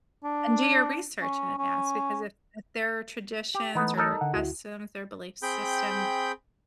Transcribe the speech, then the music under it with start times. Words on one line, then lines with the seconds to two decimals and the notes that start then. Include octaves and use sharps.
and do your research in advance because if if their traditions or their customs or belief system
0.24 D4
1.21 C#4
1.57 C#4
3.55 G4
3.75 E3 A3 B3 D#4
3.97 D#4 A4 A#4
4.21 D3 F#5
4.33 D2 E4 F#4
5.43 C4 G#4 G5 B5 G6